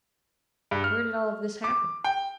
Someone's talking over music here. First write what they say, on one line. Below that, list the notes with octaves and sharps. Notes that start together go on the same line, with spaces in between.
"Where did all of this happen?"
G2
F6
D6
G5